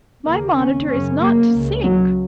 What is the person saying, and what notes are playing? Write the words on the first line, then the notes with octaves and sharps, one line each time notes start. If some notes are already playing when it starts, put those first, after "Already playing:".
"My monitor is not to sink!"
D#2 C#3 A#3
C#4
F#2 C#3 C#4
A#3
C#2 C#3
F#3